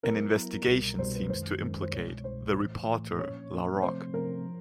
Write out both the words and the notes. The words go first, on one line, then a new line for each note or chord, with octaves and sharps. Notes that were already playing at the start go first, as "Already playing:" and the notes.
An investigation seems to implicate the reporter, LaRoque.
F#3 B3 E4 A#4
F#3 B3 E4
C2 B2 G3
C2 B2 G3 C5
B4
F#2 D#3 G#3 C5
F#2 D#3 G#3
C5
C2 B2 G#3 C#5
C2 B2 G#3 C5
A2 E3 A3
A2 E3 A3
A#2 F3 A#3 C#4 C#5
A#2 F3 A#3 C#4
C3 F3 A3 C4 C5
C3 F3 A3 C4 A#4
F3